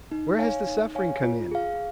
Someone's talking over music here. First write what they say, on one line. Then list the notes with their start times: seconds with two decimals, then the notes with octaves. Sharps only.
Where has the suffering come in?
0.11 D#4
0.39 C#5 F5 G#5
0.67 D#4
0.95 C#5 F5 G#5
1.23 F4
1.51 G#4 F5